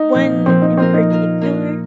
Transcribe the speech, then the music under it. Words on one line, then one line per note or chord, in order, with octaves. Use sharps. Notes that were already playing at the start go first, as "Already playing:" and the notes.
one in particular,
Already playing: D#4
A#2 F3 A#3
A#2 F3 A#3 C4
D#4
A#3 C4 F4 A#4
D#4
A#3 F4 A#4
A#3 F4 A#4